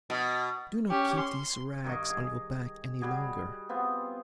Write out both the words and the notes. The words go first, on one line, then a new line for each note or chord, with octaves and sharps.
Do not keep these rags on your back any longer.
B2
C#4 G4
C6
G2 D#3 D#5 C#6
G#4
G3 F#4 G#4
B3 C4 F4